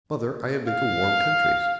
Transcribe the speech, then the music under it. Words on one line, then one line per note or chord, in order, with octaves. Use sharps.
"Mother, I have been to warm countries."
F5